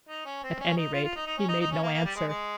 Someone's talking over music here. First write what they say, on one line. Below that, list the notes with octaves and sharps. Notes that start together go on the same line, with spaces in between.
At any rate, he made no answer.
D#4
C#4
C4
C#4
D#4
F4
F4
D#4
D#4
C#4
D#4
D#4
C#4
A#3
A#3
G3
G#3
G#3